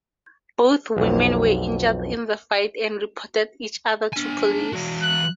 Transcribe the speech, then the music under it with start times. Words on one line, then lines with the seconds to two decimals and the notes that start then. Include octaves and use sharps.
Both women were injured in the fight and reported each other to police.
0.97 B1 F2
4.13 D4 G#5
4.74 E3 F#4
5.02 F#6